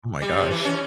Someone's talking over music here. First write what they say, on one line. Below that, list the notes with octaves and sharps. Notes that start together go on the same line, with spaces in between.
Oh my gosh.
G3
C3
E3
C#4